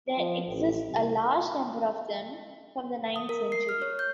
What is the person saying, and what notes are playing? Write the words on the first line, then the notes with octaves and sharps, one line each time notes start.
There exists a large number of them, from the ninth century.
F3
A1
C2
D#6
A#4
C7
F6
C#5
G6